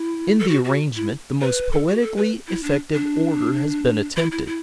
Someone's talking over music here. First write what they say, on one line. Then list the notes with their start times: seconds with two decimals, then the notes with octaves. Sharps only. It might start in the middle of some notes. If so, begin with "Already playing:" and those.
In the arrangement, the most poetically effective order has been attempted.
Already playing: E4
0.39 A4
0.49 F#4
0.64 F#4
0.96 E4
1.41 B4
1.72 A4
1.87 F#4
2.02 A4
2.17 B4
2.47 E4
2.63 D4
2.94 D4
4.17 E4
4.32 E4
4.47 E4